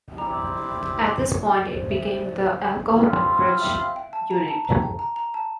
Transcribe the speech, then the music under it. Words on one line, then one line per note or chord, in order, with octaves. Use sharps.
At this point it became the "Alcohol Beverage Unit".
C4 E4 G4 D5 A#5
D5
C5
E5
C5
D5
G3 C4 F4
E5
F5
G5
A5
A#5
A5
A#5
G5
A#5
A#5
A5